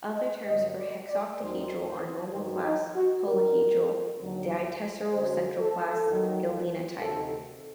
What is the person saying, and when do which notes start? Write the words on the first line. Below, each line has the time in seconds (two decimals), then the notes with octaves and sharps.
Other terms for hexoctahedral are: normal class, holohedral, ditesseral central class, galena type.
0.15 D#5
0.46 G2 D3 F#3 D#5
0.77 D5
1.09 D5
1.40 D#2 D#3 F#3 C5
1.87 C5
2.33 G2 D#3 F#3 C5
2.64 D#4
2.95 F#4
3.26 F#2 D#3 F#3 A#4
4.21 D#2 D3 F#3
5.13 F#2 D3 F#3 C5
5.60 A4
6.07 D#2 D#3 F#3
7.00 D2 C3 D#3 A4